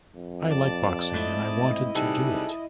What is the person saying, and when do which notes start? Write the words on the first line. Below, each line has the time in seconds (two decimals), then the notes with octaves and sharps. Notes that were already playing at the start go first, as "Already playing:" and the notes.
I like boxing and I wanted to do it.
0.15 F2
0.51 D5 A5 A6
1.14 G#2 A3 C4 E4 D#5
1.95 C3 G3 D#4 G#4 A4 F#6